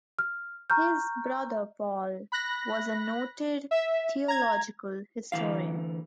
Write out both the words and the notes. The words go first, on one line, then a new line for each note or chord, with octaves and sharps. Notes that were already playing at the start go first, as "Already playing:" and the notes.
His brother, Paul, was a noted theological historian.
F6
A#5 C#6 F6 G6
B5 F#6 A#6
E5
A#5 G#6
D2 E3 F5